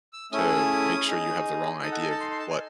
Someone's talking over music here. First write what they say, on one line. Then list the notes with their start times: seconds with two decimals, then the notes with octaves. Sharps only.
to make sure you have the wrong idea of what
0.13 E6
0.32 A3 C#4 E4 G#4 D#6
1.07 D#4 G#4
1.83 D#4 A4 D#6
1.92 F#5
2.03 G#5
2.11 A5
2.20 C6
2.31 C6
2.39 A5
2.50 G#5